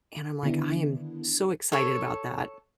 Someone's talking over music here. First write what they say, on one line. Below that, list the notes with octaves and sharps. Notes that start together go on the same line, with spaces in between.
and I'm like, "I am so excited about that."
D3 D#3 B3 D4 E4
A4 C#5